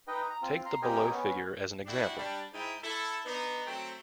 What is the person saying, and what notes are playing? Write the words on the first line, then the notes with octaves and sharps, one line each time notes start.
Take the below figure as an example.
D#4 B4 D#5 G5
A#5
C4 F4
A#5 C6
C4 G4 A#4 D#5 G5 G#5
B3 C#4
G3 D4 E4 F#4
G3 D4
G#2 D#4 E4 G5
E4 A4
B3 D4 D#4
F#3 A3 C4 G5